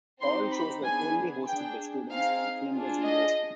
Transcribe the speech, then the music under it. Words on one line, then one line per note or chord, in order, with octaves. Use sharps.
All shows were solely hosted by students from Flinders University.
C4 D#4 G4 C6
B5
B3 D4 G#4 G#5
D4 G#4 G5
C4 D#4 G#4 F5
D4 F4 G#4
D#5